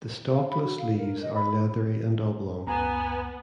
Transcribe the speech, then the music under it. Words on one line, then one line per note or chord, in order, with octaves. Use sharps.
The stalkless leaves are leathery and oblong.
F5
B5
F#4
F5
A#4
D#5
B5
C#2 F#2 B3 G#5 A#5